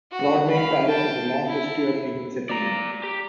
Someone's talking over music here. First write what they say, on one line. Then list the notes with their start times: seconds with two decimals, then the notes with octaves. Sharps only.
Broadmayne parish has a long history of human settlement.
0.12 F#4
0.50 F5 B5
0.87 G5 A5
1.47 E4
2.49 D5 A#5
3.04 G4